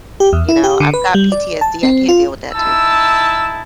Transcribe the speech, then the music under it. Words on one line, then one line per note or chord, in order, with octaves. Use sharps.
you know? I've got PTSD, I can't deal with that too.
G4
E2
E4
G4
D3
B4
G3
D5
A5
C4
F4
D#4 E4 A5 E6